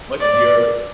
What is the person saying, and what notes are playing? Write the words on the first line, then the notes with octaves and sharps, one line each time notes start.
What's your
D5